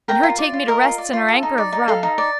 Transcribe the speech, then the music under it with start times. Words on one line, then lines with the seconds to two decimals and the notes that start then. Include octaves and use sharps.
And her take me to rests and her anker of rum.
0.08 A#4 G5 A#5
0.23 F4
0.38 D5
0.54 F4
0.68 A#4 D#5
0.83 F4
0.98 D5
1.13 F4
1.28 A4
1.43 D#4
1.58 D5
1.72 D#4
1.88 A4 F5
2.03 D#4
2.18 D5